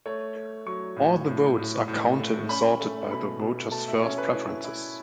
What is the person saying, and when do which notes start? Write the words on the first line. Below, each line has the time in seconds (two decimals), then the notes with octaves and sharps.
All the votes are counted and sorted by the voters' first preferences.
0.06 A3 C#5
0.36 A3
0.66 F#3 C#6
0.97 A2
1.28 A2
1.58 A2
1.88 A2
2.19 A3
2.49 C#4 B5
2.80 A3
3.11 B2 B5
3.41 B2
3.71 A3 A5
3.88 E5
4.03 C#4 C#5
4.18 B4
4.33 E4
4.64 E4